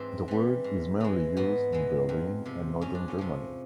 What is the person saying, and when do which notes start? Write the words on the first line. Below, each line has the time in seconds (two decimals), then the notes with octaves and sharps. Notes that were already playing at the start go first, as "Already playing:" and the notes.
The word is mainly used in Berlin and northern Germany.
Already playing: G#2 E3 C4 D4
0.28 E3 G3
0.64 G#2
1.00 E3 G#3
1.37 G#2 B3
1.72 E3 G#3
2.09 F2
2.45 C3 F3
2.81 F2 C#4
2.95 D4
3.08 C#4
3.18 C3 F3